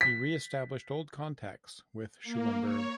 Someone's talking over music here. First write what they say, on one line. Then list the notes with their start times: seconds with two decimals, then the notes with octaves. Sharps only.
He reestablished old contacts with Schulenburg.
0.01 B6
2.23 A#3
2.64 C#5